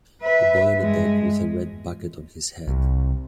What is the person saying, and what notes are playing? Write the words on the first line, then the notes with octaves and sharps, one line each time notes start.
A boy on a deck with a red bucket on his head.
B4 E5
G2 G#3
C2